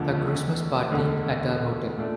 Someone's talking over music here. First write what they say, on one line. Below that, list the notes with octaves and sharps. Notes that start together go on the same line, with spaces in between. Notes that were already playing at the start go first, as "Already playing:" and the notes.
A Christmas party at our hotel?
Already playing: E1 D2 D3 F3
E1 D2 D3
A#2 A3 D4